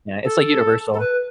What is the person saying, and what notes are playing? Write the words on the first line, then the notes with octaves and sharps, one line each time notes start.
Yeah, it's like universal.
A4
A4
B4